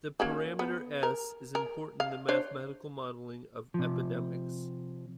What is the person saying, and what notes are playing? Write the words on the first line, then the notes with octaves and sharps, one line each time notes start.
The parameter "S" is important in the mathematical modelling of epidemics.
A#3 C#4 F#4
B3
A#4
A#4
F5
D4 C5 C#5
C3 F3